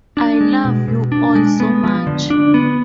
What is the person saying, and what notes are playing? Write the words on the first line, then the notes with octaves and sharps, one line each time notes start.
I love you all so much.
D4
G#3
B2
B2
D4
G#3
B3
F3
D3
D4
B3